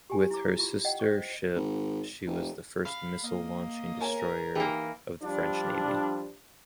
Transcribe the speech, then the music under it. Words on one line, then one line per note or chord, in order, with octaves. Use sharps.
With her sister-ship, she was the first missile-launching destroyer of the French Navy.
G4 G#5
E4 D6
E4 F4 C#6
D#5 F#5 G5
C5 D#5 C#6
G#1
F1
F5 B5
A#3 D#5
A#4 C#5 G#5
E3 A#3 D#4 G4
F3 G3 D4